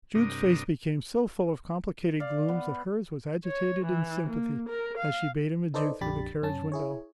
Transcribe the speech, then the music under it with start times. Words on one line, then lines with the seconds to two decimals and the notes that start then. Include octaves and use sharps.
Jude's face became so full of complicated glooms that hers was agitated in sympathy as she bade him adieu through the carriage window.
0.15 G2 C3 D4 A#4 D#6
2.20 D5 F5
2.48 B3 B4
3.45 C#5
3.85 E3
4.30 A#3
4.69 A#4
4.98 F5
5.74 D#4 A4 B4 C5 D5 D#5
6.01 A#1 F2 D4 G4 B5 A6
6.43 F#2 C#4 A5
6.72 E4 G#4 C#5